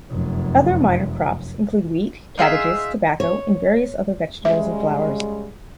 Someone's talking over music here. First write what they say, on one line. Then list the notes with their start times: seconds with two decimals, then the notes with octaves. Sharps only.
Other minor crops include wheat, cabbages, tobacco, and various other vegetables and flowers.
0.10 F1 F#2
2.38 D#4 F4 G#4 E5
3.20 C#5
4.45 C#3 G3 G#3 E5